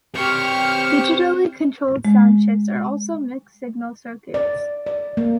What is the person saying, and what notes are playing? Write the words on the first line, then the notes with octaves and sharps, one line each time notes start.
Digitally controlled sound chips are also mixed-signal circuits.
C4 G4 C5 C#5 C#6 F6
G#3
D5
D5
A#3